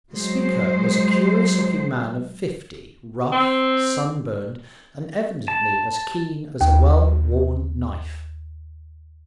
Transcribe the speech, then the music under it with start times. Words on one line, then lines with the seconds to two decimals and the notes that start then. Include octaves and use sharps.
The speaker was a curious-looking man of fifty, rough, sunburned, and evidently as keen as a well-worn knife.
0.12 F#3 G#3 C5
3.32 C4
5.48 A5
6.61 D#2 G5